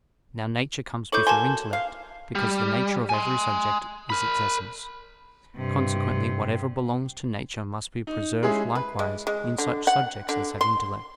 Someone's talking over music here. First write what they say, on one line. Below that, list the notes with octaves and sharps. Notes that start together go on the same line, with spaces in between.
Now nature comes before intellect, because the nature of every subject is its essence. Consequently whatever belongs to nature must be preserved likewise in such subjects as have intellect.
E4 A4 C#5 D6 G6
A#3 F#4 G#5 A5 C6
F5
G3
G#5 C6
A#4 B5
G2 C3
D#4
G#3 C#4 E4 G#4
B4
G#3
G#3
D3
F#5
D3
C6